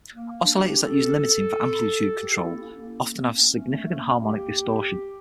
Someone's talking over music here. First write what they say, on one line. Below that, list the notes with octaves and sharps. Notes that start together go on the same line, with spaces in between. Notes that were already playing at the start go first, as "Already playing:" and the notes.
Oscillators that use limiting for amplitude control often have significant harmonic distortion.
A#3
D4
G4
A4
G4
E4
A#3
C#4
A#3
C#4
A3
A3
C#4
A#3
G4